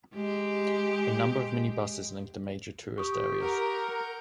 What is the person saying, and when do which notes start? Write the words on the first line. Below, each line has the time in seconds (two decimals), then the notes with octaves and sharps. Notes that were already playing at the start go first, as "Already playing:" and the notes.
A number of minibuses link the major tourist areas.
0.14 G#3 G4
2.98 G4 C#6 D#6
3.42 A#4 F#5 F6 G6